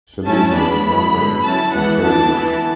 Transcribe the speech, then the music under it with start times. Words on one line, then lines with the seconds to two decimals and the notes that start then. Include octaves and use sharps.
She lives in London, Ontario.
0.24 F#3 C#4 E4 A5
0.54 G#3 B3 D4 B5
0.83 G#3 B3 E4
1.12 D3 G#3 B3
1.42 F#3 C#4 E4 A5
1.71 E3 G#3 B3 E4 F#5
2.01 E3 B3 D4 A5
2.31 E3 B3 E4